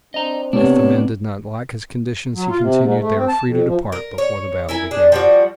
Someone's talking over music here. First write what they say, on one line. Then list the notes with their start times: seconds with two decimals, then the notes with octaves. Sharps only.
If the men did not like his conditions, he continued, they were free to depart before the battle began.
0.14 C4 D4 D#5 A#5
0.53 C3 B3 C4 D4 C#5
2.35 F#3
2.49 F4
2.61 C3
2.81 G#2
3.00 A3
3.16 C4
3.28 A5
3.46 F2
3.67 F3
3.92 A#4
4.18 C#5
4.69 E4 A#4 G#5
4.91 D4 G#4
5.12 F3 G3 F#4